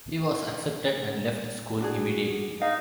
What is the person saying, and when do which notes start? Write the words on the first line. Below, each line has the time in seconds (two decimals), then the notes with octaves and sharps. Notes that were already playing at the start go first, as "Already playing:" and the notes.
He was accepted and left school immediately.
1.81 D4 F#4 G#4
2.62 D#4 F5